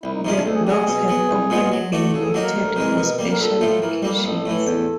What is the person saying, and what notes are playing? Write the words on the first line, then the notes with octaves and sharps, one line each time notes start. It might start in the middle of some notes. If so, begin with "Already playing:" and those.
The blocks have often been lifted for special occasions.
C2 E4
D#4
C3 F3 G#3 C#4 D#4
D4
D2 A4
G#4
G4
C#3 F#3 G#4
B2
F#3 B3
C2
A#2 F3 G#3 B3
F#3
A3 D4 F#4
C#3 A4
G#4
A4
F#3 A#3 D#4 F#4
A#4
D2
C3 E3 G#3
B2
G3 A#3
A#4
A#1 A4
A2 F3 A3
E3 A#4
G3 A#3 A4
A#4
A1 A4
A2 E3
E2